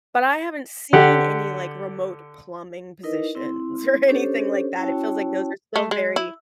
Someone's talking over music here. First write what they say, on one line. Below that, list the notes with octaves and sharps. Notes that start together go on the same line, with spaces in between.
But I haven't seen any, like, remote plumbing positions or anything like that, it feels like those are still very
D3 G4 F#5
D#4 E4 A#4 B4 D#5
C4 E4 C6
C#4 D4 G4 A4 C5 C#5
C#4 E4 F#4 C#5 G5 A5
A3
G#3
E4